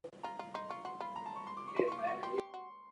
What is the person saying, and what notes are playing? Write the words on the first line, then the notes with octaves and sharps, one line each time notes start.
Brisbane Water National Park is vulnerable to various environmental threats.
F4 A#5
F4
D#4 C6
F4 C#6
F#4 C6
F4 B5
A#5
A5
C#6
C6
D6
C#6
E4 C6
C#6
F4
D6
F#4 C#6
G4 C6
G4
F#4